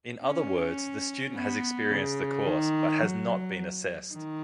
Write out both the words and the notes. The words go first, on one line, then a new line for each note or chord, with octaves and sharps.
In other words, the student has experienced the course, but has not been assessed.
C#4
B3
C#3
D#3
F#3
D#3